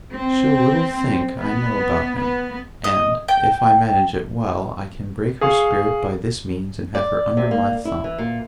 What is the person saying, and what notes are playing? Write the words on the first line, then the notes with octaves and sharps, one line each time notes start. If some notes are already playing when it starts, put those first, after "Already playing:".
'She'll little think I know about him; and, if I manage it well, I can break her spirit by this means and have her under my thumb.
C4
B3
B3
D#5
G5
G#4 F5 C#6
D5
C3
A#3
E4
E3
A#2